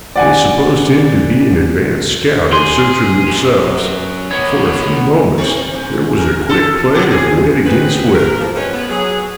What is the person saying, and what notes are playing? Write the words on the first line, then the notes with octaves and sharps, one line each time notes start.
They supposed him to be an advance scout in search of themselves, and for a few moments there was a quick play of wit against wit.
D5 F#5 G#5
G#4 C6
F#2
B3 D#4 C#5
C4
G#2
A#4
A4
B2
G#4
F#3 C4 G#4 B4
A#4
F3 A#3
F2 G#3 C4 C#4 B4 C#5
B3
F#3 G#4